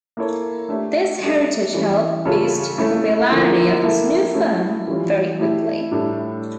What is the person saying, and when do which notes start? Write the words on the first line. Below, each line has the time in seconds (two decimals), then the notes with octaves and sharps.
This heritage helped boost the popularity of his new firm very quickly.
0.17 A#3 E4 A4 C#5
0.69 A3 D4 G4 C#5 E5
1.21 G3 D4 A4 E5
1.74 E3 G3 C#4
2.25 C#3 G3 C#4 F4 A4
2.78 A3 C#4 E4 A4
3.30 D3 F3 A#3 E4
3.82 A#3 E4 A4 E5
4.35 A3 C#4 E4
4.87 E3 G3 C#4 F4
5.39 A3 E4 G4
5.91 A2 G3 D4 A4 E5